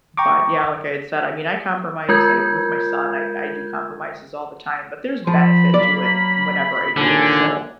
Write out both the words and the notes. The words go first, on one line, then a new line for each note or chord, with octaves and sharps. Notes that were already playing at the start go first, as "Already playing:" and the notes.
but, yeah, like I had said, I mean, I compromise I with my son. I I do compromises all the time, but there's benefit to it whenever I do. So
G5 A#5 C#6 D6
G#3 F4 A#4 G6 G#6
F3 B5
F#3 A#3 D5
D#2 A#2 D3 G#5